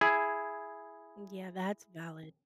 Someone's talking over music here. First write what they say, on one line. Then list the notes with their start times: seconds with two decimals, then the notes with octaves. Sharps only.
yeah, that's valid,
0.01 E4 G#4